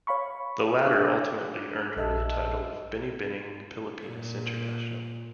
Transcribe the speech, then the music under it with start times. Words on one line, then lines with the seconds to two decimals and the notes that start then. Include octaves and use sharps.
The latter ultimately earned her the title of Binibining Pilipinas International.
0.07 C#5 F5 B5 C#6
0.87 D4 D6 F#6
1.97 A#1 A4 D#5 E5 A5 E6
4.07 A#2